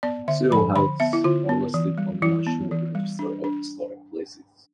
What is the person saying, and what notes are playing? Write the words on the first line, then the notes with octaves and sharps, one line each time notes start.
Sewell House are listed on the National Register of Historic Places.
B3 D5
D3 E5
F3 B5
D3 B5
B3 E5
E4
D3 F4
B3
E3
G3
E3 E4
B3
E3
G3
D4
D4